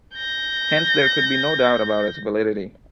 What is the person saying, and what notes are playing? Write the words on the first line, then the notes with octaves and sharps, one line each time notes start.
Hence there could be no doubt about its validity.
G6 A#6